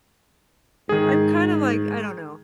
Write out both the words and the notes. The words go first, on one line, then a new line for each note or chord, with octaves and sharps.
I'm kinda, like, I don't know.
G#2 D#3 G#4